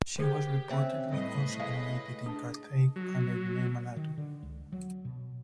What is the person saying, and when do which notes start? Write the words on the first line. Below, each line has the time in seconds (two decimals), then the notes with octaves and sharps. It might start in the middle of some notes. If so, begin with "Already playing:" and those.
She was reportedly also venerated in Carthage under the name Allatu.
0.18 D3 G4 G#4 C5 G#6
0.69 C4 C#4 C#5 E5 F#6
1.12 A2 G3 B4 C#5 D#5
1.60 G#3 F5
2.26 D4 G#4 A5 D#6
2.96 F#3
3.96 D#3
4.18 D3
4.42 C#2
4.72 F#3
5.05 B2